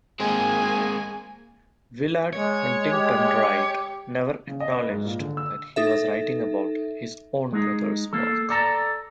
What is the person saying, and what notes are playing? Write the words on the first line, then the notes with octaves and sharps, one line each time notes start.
Willard Huntington Wright never acknowledged that he was writing about his own brother's work.
G#3 A#3 C4 G#5
G#3 C#5
G4
C#3
D#5
B4
G#2
A#2
D3
E6
D#4 A4 E5
G#3 D#4
A#3 A4
A4 D5 A5 A#5